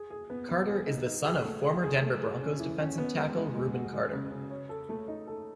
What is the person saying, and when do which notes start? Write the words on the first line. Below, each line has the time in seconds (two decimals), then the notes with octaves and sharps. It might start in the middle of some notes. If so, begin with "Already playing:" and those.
Carter is the son of former Denver Broncos defensive tackle Rubin Carter.
Already playing: G#4
0.10 G#4
0.30 B3
0.49 B3
0.69 G#4
0.87 D#4
1.07 D#4
1.25 G#4
1.45 A3
1.63 G#4
1.83 G#4
2.02 A3
2.21 G#4
2.41 C#4
2.59 E3
2.79 C#4
2.98 B3
3.17 G#3
3.36 G#3
3.55 G#3
3.74 F#4
3.93 G#3
4.13 C#3
4.31 C#3
4.51 C#5
4.69 A4
4.89 A3
5.08 D#4
5.27 A4